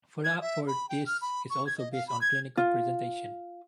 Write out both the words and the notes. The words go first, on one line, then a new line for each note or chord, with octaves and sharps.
Follow-up for this is also based on clinical presentation.
G#6
E5
B5
G5
F6
B5
C#6
G#6
D#5
F5
B5
G#6
F4